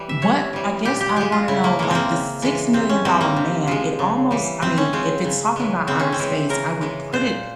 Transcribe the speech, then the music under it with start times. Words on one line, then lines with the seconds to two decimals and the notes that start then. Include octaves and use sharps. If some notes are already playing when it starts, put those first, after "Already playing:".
what I guess I wanna know, like The Six Million Dollar Man, it almost I mean, if it's talking about outer space, I would put it
Already playing: E3 G3
0.09 E5
0.22 C3 C#5
0.53 E3 G3
0.85 A#2 G4
1.01 G4
1.16 F3 G#3 G4
1.32 F4
1.48 C#3 E4
1.64 A#3
1.79 E3 G#3 A#3
1.91 A#3 C4
2.11 C#3
2.42 E3 G#3
2.73 C3 C4
2.89 C#4
3.05 E3 G3 C4
3.21 A#3
3.36 C3
3.67 F3 G#3
3.99 C#3
4.31 E3 G3
4.62 C3 C4
4.78 C#4
4.93 F3 G#3 C4
5.24 C#3
5.56 E3 G#3
5.87 C#3 C4
6.00 C#4
6.12 C4
6.19 E3 G#3
6.50 C#3 A#4
6.81 E3 G#3
7.13 A#2 C5